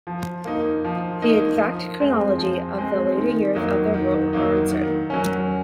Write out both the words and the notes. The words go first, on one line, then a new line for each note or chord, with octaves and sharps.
The exact chronology of the later years of their rule are uncertain.
F3
A#3 D#4
F3
A#3 D#4
F3
G#3 C4
F3
G#3 C4
D#3
F#3 A#3 D#4
D#3
F#3 A#3 D#4
D#3
F#3 C#4